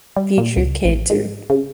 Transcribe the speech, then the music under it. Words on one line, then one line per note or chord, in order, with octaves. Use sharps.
future kids, or
G3
A#2
C#2
A1
G#2
C#3